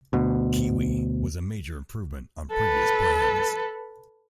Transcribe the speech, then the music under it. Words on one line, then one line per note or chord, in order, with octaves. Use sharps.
Kiwi was a major improvement on previous brands.
D2 B2
A4 B4